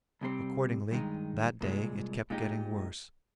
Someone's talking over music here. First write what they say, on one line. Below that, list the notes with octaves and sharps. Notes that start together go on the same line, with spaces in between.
Accordingly, that day it kept getting worse.
C2 C3 G3 C4
G2 D#3 G#3 D#4
C2 A#2 G#3
A#2 G#3 D#4 G4